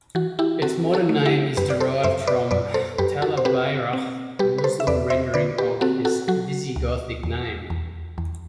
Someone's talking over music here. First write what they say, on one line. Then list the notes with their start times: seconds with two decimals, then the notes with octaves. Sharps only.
Its modern name is derived from "Talabayra", the Muslim rendering of this Visigothic name.
0.15 E3 F#4
0.39 E4 G4
0.62 C4 F#4 A4
0.94 F#4 A4
1.09 A3
1.26 E4 G4
1.57 F#2 G4 B4
1.70 D5
1.80 A4 C5
2.04 F#2 C5 E5
2.27 B4 D5
2.51 F#2 B4 D5
2.74 A4 C5
2.98 F#2 G4 B4
3.22 F#4 A4
3.37 C5
3.45 C4 G4 B4
3.93 C4
4.39 G3 G4 B4
4.58 B4
4.64 A4 C5
4.80 E5
4.87 E2 B4 D5
5.10 C5 E5
5.34 D3 B4 D5
5.58 G4 B4
5.81 C4 F#4 A4
6.05 F#4 A4
6.28 F#3 F#4
6.76 D2
7.23 E2
7.70 E2
8.18 E2